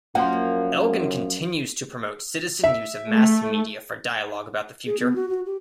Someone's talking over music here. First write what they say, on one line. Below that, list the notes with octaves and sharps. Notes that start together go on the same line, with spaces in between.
Elgin continues to promote citizen use of mass media for dialogue about the future.
F#2 F3 A#3 F#5 C6
E5
A3
G#4
B3
F#4
F#4
G4